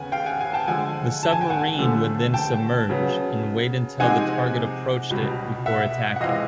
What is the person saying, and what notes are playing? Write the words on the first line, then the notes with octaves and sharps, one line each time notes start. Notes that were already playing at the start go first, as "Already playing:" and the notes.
The submarine would then submerge and wait until the target approached it before attacking.
Already playing: D#2 C#3 B3 F#5 G#5
F5 G5
F#5 G#5
F#5 G#5
G5 A5
D3 F3 G#3 F#5 G#5
A5
G#5
G5
F#5 G#5
D#2 D3 F3 A3
G5 A5
C#3 F#3 B3
C3 F3 G#3 C4 D#4 F#5 G#5
C#2 B2 G3
E5 F#5
F#5
F2 C3 E3 G#3 D#5 F5